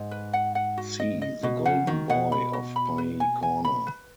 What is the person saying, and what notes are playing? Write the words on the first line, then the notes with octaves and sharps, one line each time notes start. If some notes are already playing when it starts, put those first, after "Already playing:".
See The Golden Boy of Pye Corner.
Already playing: G#2
B4
F#5
F#5
F#4
D#5
D#5
B2 F#4
C#3 F#5
D#3 F#4
B2 F#5
B5
F#4
B5
B4
G#5
G#5
B5
B4